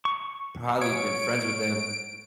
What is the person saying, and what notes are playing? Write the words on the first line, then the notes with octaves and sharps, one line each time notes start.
probably been friends with them
C#6
C#5 D7